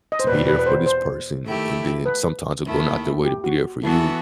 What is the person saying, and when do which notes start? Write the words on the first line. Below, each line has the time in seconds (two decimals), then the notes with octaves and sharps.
to be there for this person, and then sometimes they're going out their way to be there for you,
0.12 D#5
0.20 C5
0.27 E2 B2 G3 B4
0.47 B4
0.59 B4
0.66 C5
0.86 C5
1.46 D#3 A3 E4 G4
2.06 B4
2.65 D#2 D#3 A3 E4
3.24 G4
3.44 F#4
3.84 E3 B3 E4 F#4 A4